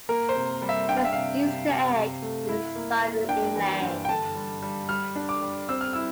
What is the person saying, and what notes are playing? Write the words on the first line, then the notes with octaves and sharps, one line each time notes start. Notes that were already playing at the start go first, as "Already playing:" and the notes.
There is an easter egg inside the inlay.
A#3 A#4
C5
C3
G3
E5
D4 G5
F5
E5
C3 F5
C3
C3
C3
A3
E4
A#3
A#3
D4 G5
E3
G2
G5
D3 A5
G3
G3
G3 F6
D4
D6
G3
C4 E6
F6
E4 E6